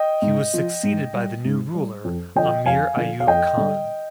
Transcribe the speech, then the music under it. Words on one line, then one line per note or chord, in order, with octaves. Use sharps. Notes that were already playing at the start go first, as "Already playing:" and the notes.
He was succeeded by the new ruler, Amir Ayub Khan.
Already playing: D#5 G5
G#2
F3
G#2
G3
G#2
G3
F2
D3 F3 D#5 G5
F2 F5 G#5
D3 F3
F5
F2 D#5 G5
D3 G3